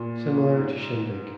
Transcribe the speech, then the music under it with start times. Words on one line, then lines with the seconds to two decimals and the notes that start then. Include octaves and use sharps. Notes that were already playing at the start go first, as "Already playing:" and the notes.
Similar to Shindig!
Already playing: A#2
0.55 G#2